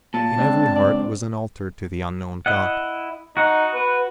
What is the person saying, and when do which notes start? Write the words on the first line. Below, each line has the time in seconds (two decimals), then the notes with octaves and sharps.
In every heart was an altar to the Unknown God.
0.14 A#2 A5
0.38 C#2 C4 D4
0.76 D5
2.46 E4 D#5 F#5
3.37 D#4 F#4 F#5
3.74 B4